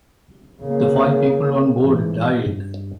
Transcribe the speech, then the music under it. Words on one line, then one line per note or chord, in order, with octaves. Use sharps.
The five people on-board died.
C#3 A#3
G#2 E3
G2